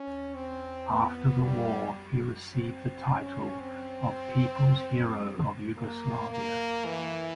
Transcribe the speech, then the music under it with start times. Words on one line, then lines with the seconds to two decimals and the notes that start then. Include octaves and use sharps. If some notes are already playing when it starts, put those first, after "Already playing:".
After the war he received the title of People's Hero of Yugoslavia.
Already playing: C#4
0.35 C4
0.90 B3
1.43 G3
2.52 C4
3.06 C#4
3.60 C4
5.77 A#3
6.31 A#3
6.86 E3